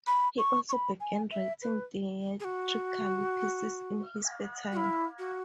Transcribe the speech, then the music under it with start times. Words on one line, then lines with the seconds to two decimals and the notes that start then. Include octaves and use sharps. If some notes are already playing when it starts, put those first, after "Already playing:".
He also began writing theatrical pieces in his spare time.
0.07 B5
0.38 C#6
0.69 C#6
0.73 B5
1.00 G#5
1.31 E5
1.62 B4
2.40 G#4
2.44 F#4
4.72 F#4
4.76 E4
5.19 F#4